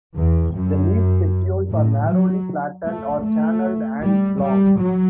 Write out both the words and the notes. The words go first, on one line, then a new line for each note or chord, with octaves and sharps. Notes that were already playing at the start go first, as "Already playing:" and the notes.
The leaf petioles are narrowly flattened or channelled and long.
E2
F#2
A2
F#3
A3
A3
G3
G3
F#3